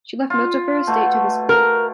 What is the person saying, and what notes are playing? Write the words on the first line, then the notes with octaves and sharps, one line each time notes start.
She left most of her estate to the school.
F4
B2 A3
A#4